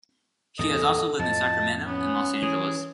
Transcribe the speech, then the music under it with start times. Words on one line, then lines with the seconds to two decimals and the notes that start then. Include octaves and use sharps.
She has also lived in Sacramento and Los Angeles.
0.59 E2 G2 A#2 A4 D#5
1.19 F2 A2 F4 D#5 A5
1.87 B3 C#4
2.42 E3 G#4